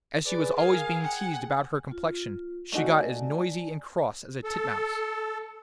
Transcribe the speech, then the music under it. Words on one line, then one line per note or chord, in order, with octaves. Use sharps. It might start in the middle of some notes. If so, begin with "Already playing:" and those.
As she was always being teased about her complexion, she got as noisy and cross as a titmouse.
G#4 B4 D5
A#4 F5 G#5
F#5 G5
F4
A3 D#4 F#4 D5 G#5 A5
A4